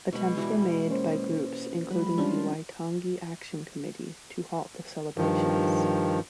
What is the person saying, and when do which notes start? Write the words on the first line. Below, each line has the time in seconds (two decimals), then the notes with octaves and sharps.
Attempts were made by groups including the Waitangi Action Committee to halt the celebrations.
0.13 B2 G#3 B5
0.37 E3 G3 F#4
0.89 A#3 C#4 C5
1.91 F#3 G#3 B4
2.18 F3 G3 C#4 D4 F4
5.17 G2 D#3 F3